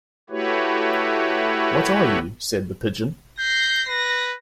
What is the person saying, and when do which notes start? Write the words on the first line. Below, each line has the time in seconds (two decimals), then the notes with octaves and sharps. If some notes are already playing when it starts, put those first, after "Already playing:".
What are you?’ said the Pigeon.
0.30 A3 E4 F#4 G4 B4 C#5
3.39 G6 A#6 C7
3.88 B4 A#6